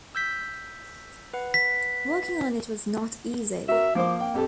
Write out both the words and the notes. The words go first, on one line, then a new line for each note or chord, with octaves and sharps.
Working on it was not easy.
E6 G6 B6
B4 F#5
B6
F#4 A#4 E5
F3 A#3 C5 D6
G5
F2 G4 A4